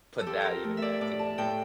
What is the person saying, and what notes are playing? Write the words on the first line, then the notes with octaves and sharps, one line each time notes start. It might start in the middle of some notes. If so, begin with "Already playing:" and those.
put that even back together.
A4
F3 G4
A#4
A3
E5
D5
A2 D5
A5
A2 G5